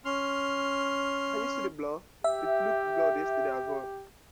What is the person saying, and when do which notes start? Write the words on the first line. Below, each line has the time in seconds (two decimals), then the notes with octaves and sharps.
Can you see the blur? It looked blurred yesterday, as well.
0.05 C#4 C6 F6
2.24 G4 E5